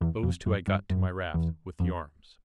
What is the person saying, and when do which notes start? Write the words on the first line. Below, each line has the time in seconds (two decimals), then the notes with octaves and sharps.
Those two I got to my raft, with the arms.
0.01 E2
0.23 F2
0.46 F#2
0.68 G2
0.90 F#2
1.34 E2
1.80 F2